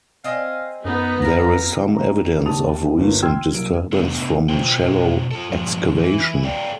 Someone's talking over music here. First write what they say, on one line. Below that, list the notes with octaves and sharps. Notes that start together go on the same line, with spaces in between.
There is some evidence of recent disturbance from shallow excavation.
C4 D#5 F5 G#5
F#2 B3 D#4
A#4 F5 A#5
A#5
D#2 G4 A5 D#6 F7
G1 D#2 A#3
G5 C6 E6 F6 G#6
C2 F#3 A#3 D7
C3 A3 B3 D4 A4
B2 F4 C5 G5
F4 A4
G2 A#2 F3 G#3
E3
A4 C#5 D5 F5 G5